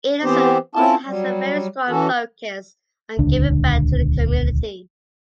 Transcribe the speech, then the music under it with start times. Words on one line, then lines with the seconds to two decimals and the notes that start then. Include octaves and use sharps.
Anderson also has a very strong focus on giving back to the community.
0.23 E3 B3 C4 G4 C5
0.75 C4 C#4 E4 F4 A4 A5
1.06 F#3 G3
1.89 E3 C#4 F#4 A4
3.19 D#1 C#2 D3 D4